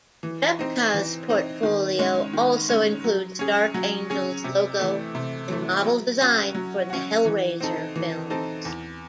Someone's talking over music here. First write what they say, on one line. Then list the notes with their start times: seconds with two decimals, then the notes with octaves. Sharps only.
Repka's portfolio also includes Dark Angel's logo and model designs for the "Hellraiser" films.
0.23 E3
0.59 C4 D#4
0.94 E3
1.29 C4 D#4
1.63 D#3
1.99 G#3 C#4
2.33 D#3
2.69 G#3 C#4
3.04 F#3
3.39 C#4 G#4
3.74 F#3
4.10 C#4 G#4
4.44 C3
4.79 E3 A3
5.15 C3
5.50 E3 A3
5.85 F#3
6.21 C#4 F#4
6.55 F#3
6.90 C#4 F#4
7.25 E3
7.61 C4 D#4 A4
7.96 E3
8.30 C4 D#4 A4
8.65 E2